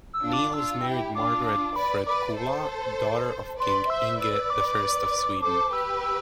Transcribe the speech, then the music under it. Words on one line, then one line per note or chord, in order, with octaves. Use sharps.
Niels married Margaret Fredkulla, daughter of king Inge I of Sweden.
E6
D4 F4
D6
D4 F4 E6
E4 G4
D4 F4 D6
B4 D5 B5
B4 D5 D6
A4 C5
B4 D5 C6
C5 E5 E6
B4 D5 E6
D6
A4 C5 D6
G4 B4 E6
E6